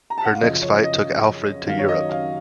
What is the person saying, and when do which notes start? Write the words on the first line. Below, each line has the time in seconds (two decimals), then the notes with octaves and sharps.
Her next fight took Alfred to Europe.
0.10 A#5
0.18 A5
0.25 F#5
0.33 F5
0.41 F#2 C#3 F3 D#5
0.62 C#5
0.83 D#5
1.67 F#2 D#3 F#3 F5
1.79 C#5
1.88 D#5
2.09 F5